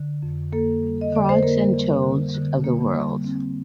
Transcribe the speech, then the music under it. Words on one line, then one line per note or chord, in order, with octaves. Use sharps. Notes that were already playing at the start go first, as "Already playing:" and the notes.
Frogs and Toads of the World.
Already playing: D3
F2
A#3 A4
G3
D#5
D3 D5
C5
A#3 A#4
G3
D3
D3
A#3
G3
C4